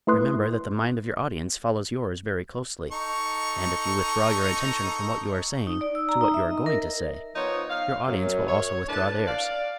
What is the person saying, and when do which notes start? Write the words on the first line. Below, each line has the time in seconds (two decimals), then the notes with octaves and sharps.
Remember that the mind of your audience follows yours very closely, and if you withdraw your attention from what you are saying to what you are going to say, your audience will also withdraw theirs.
0.07 A3 E4 B4 C6 D#6 F#6
2.92 D#4 A4 C#6
5.67 D#4
5.81 D5
5.95 E6
6.09 A#5
6.21 D#4
6.34 E5
6.50 D#5
6.66 A#4
7.36 F3 B3 D#4 C5 C#5
7.70 F5
8.08 F#2
8.48 C#5
8.89 A2 D4 B4 A5
9.28 D5 F5